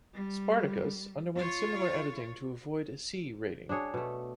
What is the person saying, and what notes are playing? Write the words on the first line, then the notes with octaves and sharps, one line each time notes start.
"Spartacus" underwent similar editing to avoid a C rating.
G3
F4 C#5
D4 F#4 G#4 C#5
B2 A3